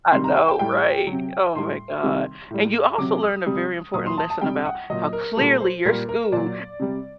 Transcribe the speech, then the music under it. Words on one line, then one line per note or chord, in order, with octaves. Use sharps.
I know, right? Oh my god. And you also learned a very important lesson about how clearly your school
C3 D#3 G3 C6
A#5
G5
G5
A2 G3 G5
F#3
C3
A2 G3 C6
C3 D#3 G3
A2 G3
C3 F#3 D6
D#6
C3 G3
A#2 F#3 D#6
C6
A5
A5
C3 G3 G5
F#5
A#2 F#3 D#5
A#4
A#2 G3 A4
C5
A#2 G3 A#4
A#4
A#2 F#3 D5
C3 G3